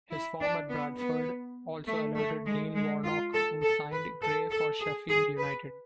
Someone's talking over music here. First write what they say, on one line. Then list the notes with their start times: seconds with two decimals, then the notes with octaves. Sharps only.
His form at Bradford also alerted Neil Warnock who signed Gray for Sheffield United.
0.11 E4
0.41 D4
0.70 B3
0.99 B3
1.87 A3
2.16 A3
2.46 G#3
2.76 G#3
3.04 F4
3.33 A4
3.63 A4
3.92 B4
4.22 A4
4.50 A4
4.81 G#4
5.09 G#4
5.39 B4